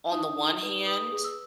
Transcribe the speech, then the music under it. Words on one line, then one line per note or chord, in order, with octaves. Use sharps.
on the one hand
D#4 D#6
D#4
B4
B4 D#6
G#4
E6